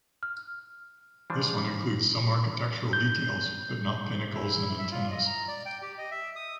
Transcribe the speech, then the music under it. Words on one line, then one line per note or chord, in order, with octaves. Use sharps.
This one includes some architectural details, but not pinnacles and antennas.
F6
E3 F3 G3 D4
G6
E4
E5
F4
D#5
A#5
D5
G5
G4
D#5
E5
D#6